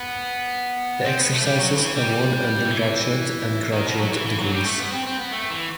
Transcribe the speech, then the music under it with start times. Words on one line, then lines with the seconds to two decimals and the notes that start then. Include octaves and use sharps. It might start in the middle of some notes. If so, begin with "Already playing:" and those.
The exercises award undergraduate and graduate degrees.
Already playing: B3
1.05 C4
1.19 B3
1.32 A3
1.45 G3
1.59 F#3
1.77 E3
1.95 G3
2.65 E3
3.72 D#3
3.86 B2
3.99 F#3
4.12 E3
4.26 E3
4.39 F#3
4.52 G3
4.66 A3
4.79 B3
4.92 C4
5.06 C4
5.19 B3
5.32 A3
5.50 E3